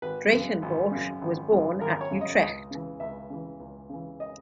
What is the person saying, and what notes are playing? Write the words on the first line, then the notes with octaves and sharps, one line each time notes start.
Drakenborch was born at Utrecht.
G#1 B4
F#2 C#3
G#1
F#2 C#3
G#1
F#2 C#3
G#1 A#4
C#5
F#2 C#3
D#5
C#2 D#5
C#3 E3
C#2 E5
C#3 E3
C#2
C#3 E3
D#5